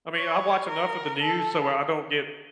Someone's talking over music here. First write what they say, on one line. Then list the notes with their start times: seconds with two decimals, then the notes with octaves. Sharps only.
I mean, I watch enough of the news so I don't get
0.16 C#5
0.69 A#4
1.21 A4